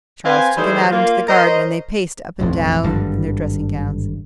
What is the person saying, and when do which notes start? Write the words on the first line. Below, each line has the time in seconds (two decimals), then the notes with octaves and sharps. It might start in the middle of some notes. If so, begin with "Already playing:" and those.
Charles took him out into the garden, and they paced up and down in their dressing-gowns.
0.25 C4 B4 C5 F5 G#5
0.56 E3 G3 A3 D#4 G#4 C5
0.91 A#3 F4
1.29 A#4 C5 C#5 D#5
2.40 E1 A1 F2
2.83 G#1 G2 D3